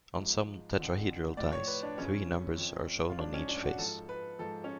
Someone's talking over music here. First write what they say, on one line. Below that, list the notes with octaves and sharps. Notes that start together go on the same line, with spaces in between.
On some tetrahedral dice, three numbers are shown on each face.
G#2 F3
F2 D3 F3
A2 F3 D5
C#5
B4
D4
F#2 C#3 F3 C#4
F2 F3
F4
G#2 F3 D4
C#4
D4
F#4
G#2 F3 A4
B4
G#2 F3 A4
C#4